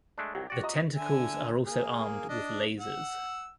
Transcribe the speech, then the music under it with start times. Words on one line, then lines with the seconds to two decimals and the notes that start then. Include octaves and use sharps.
The tentacles are also armed with lasers.
0.18 G#3 A3 D4
0.35 C2 F#3 G4
0.50 F#4 D5
0.63 D#5 A#5 D#6
0.95 D3 E5 G#5
1.67 A#3 G#4
2.29 D4 D#5
2.80 F#5 E6